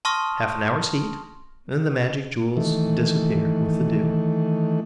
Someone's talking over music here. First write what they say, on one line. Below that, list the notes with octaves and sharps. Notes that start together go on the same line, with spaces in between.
Half an hour's heat; and the magic jewels disappear with the dew.
A5 C6 C#6 D#6 F6 A#6
D#3 E3 A3